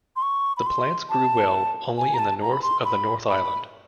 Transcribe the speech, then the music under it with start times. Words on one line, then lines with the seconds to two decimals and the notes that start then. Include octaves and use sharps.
The plants grew well only in the north of the North Island.
0.16 C6
0.22 C#6
0.57 B5
0.67 C6
1.10 A5
1.98 G#5
2.14 A#5
2.19 A5
2.42 A#5
2.53 B5
2.62 C6
2.85 B5
3.28 B5